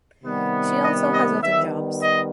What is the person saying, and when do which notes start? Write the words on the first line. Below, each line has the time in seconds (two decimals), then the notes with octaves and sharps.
She also has other jobs.
0.22 C3 D#3 G3 B3
0.82 D#5
1.12 D#5
1.42 D#3 G3 B3 E5
2.02 D#5